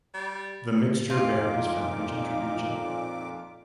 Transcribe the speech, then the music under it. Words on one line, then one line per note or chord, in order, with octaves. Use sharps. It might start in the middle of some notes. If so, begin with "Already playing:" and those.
The mixture varies from region to region.
G3
F2 A#2 D#4 F4 F5 D6